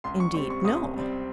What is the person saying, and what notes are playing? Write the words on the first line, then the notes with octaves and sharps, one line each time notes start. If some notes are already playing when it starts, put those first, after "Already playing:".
"Indeed no."
C#2 C6
C#6
C3 G3 C4 C#6
C#6
C#2 D#6
C3 G3 C4